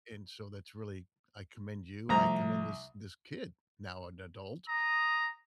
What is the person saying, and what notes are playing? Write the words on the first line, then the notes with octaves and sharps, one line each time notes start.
and and so that's really I commend you and I commend this this kid, now an adult,
C2 F3 A3 A#5
A#5 D#6